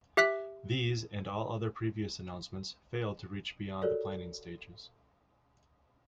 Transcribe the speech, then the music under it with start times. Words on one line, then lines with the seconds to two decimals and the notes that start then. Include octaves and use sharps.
These, and all other previous announcements, failed to reach beyond the planning stages.
0.17 G4 E5 F#6 B6
3.82 F#4 G4 A4 A#4 C#5 D5